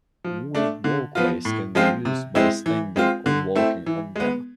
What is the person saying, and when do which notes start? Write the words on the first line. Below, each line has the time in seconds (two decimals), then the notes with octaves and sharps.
Moving walkways can be used by standing or walking on them.
0.24 F3
0.55 A3 D4
0.84 D3
1.15 F3 B3 F4
1.45 A2
1.75 F3 G#3 C4 F4
2.05 C3
2.35 G#3 C4 E4
2.66 E3
2.96 G#3 C4 F4
3.26 D3
3.55 A3 C4 E4
3.86 E3
4.16 G#3 B3